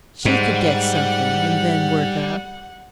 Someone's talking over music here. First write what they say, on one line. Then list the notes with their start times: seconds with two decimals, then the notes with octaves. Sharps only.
She could get something and then work up.
0.25 G#2 G3 F#5